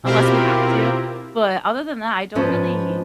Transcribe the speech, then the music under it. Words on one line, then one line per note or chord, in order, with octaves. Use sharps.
unless we have to, but other than that, I don't really
B2 C4 E4 F4 G4 A#4
G#2 F3 B3 C#4 C5